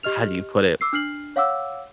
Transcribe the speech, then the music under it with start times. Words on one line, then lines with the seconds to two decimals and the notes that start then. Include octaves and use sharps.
how do you put it?
0.03 G4 D#5 F6 F7
0.81 D6 E6 C7
0.93 D4 F6 C7 F#7
1.36 C#5 F5 F#5 D6 E6